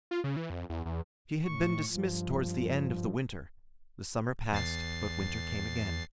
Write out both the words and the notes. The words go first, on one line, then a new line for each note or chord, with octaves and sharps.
She had been dismissed towards the end of the winter; the summer passed, but winter came again.
F4
C#3
E3
F2
E2
E2
A2 C#6
G2 F3
E2 A6 C7